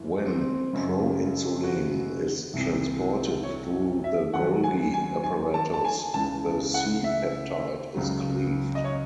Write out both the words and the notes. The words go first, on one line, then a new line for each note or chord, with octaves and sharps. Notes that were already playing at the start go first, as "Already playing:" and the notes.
When proinsulin is transported through the Golgi apparatus the C-peptide is cleaved.
Already playing: F#1 F#2 E3
C4
F#1 F#2 C#3
F#4
C2 C3 E3
C#5
E5
D#2 D#3 F#3 F#5
G#5
G#5
G#5
A5
A5
G#5
C#2 C#3 E3 A5
F#5
E5
C#2 C#3 F#3
D#5
C#5